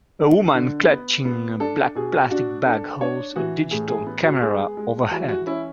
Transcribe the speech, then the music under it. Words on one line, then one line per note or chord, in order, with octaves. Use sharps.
A woman clutching a black plastic bag holds a digital camera overhead.
D4
D3
B3
B3
D4 A4
B2 G#4
D4 F#4
D4 A4
D4 C#5
E3 F#4
A2 G#4
G#4
B3
F#4
G#3 G#4
G#3
E3 F#4
F#4
C#4 E4